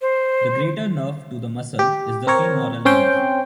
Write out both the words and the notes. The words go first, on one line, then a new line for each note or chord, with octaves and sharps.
The greater nerve to the muscle is the femoral nerve.
C5
G4
C4 A#4 C#5
C4 C#4 C5 G5